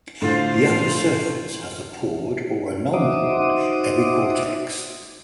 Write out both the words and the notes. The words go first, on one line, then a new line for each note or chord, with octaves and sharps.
The upper surface has a pored or non-pored epicortex.
A2 D3 F4 C5
D#4 F#4 C5 E5 D6 D#6